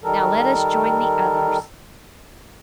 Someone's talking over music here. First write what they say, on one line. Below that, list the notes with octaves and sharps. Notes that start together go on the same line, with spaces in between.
Now let us join the others.
D#3 G3 A4 A#4